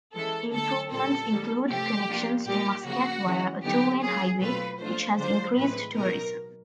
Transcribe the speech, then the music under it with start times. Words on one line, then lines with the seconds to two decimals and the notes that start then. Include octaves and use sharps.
Improvements include connections to Muscat via a two-lane highway, which has increased tourism.
0.14 E3 G#3 C#4 E4 A4
0.53 D3 F#3 A3 A4
0.92 A#2 G3 C4 A4
1.31 D#3 G3 A#3
1.69 C3 F3 A3 G4
2.08 F3 A#3 D4 F4
2.47 A#2 G3 A#3 D#4 G4
2.85 C#3 F3 A#3 F#4
3.24 C#3 E3 G#3 C#4
3.63 D3 F#3 B3 D#4 G4
4.02 F#3 A#3 C#4 F4 G#4
4.40 B2 F#3 A3 C4 F4 B4
4.79 F3 A3 D4 F4 C5
5.18 D3 F#3 A#3 D4 F4 C5
5.56 A2 E3 G#3 C4 B4
5.95 B2 F#3 B3 D#4 A#4